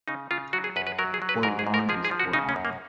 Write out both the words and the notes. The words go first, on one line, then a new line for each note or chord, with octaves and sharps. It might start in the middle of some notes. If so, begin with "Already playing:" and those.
Forewarned is forearmed.
C#3 D#4
C#3 F4
F#3 F#4
G#4
F#2 B4
B4
F#3 A#4
G#4
F#3
B4
G#2 A#4
G#4
G#2
A#4
F3 G#4
G#4
F3
F#4
C#3 D#4
C#4
F#2
A#3